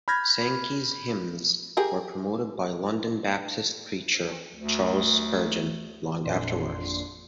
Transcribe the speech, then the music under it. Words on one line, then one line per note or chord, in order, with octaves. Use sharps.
Sankey's hymns were promoted by London Baptist preacher, Charles Spurgeon, long afterwards.
B5 F6 G6 G#6 A#6
G4 G#4 A#4
D2
G#1 F2 A#2 D4 C6